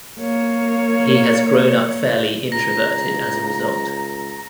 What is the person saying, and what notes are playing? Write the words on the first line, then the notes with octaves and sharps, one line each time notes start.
He has grown up fairly introverted as a result.
A#3 C#5
C#2 A#5 A#6